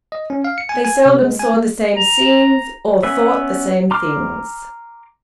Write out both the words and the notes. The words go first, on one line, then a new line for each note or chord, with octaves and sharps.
They seldom saw the same scenes or thought the same things.
D#5
C#4
F5
C#7
G#5
G#5
C3
G#3
G#5
A#3
A#5
B3 C#4 B4 E5
A#5 C6 D6 F6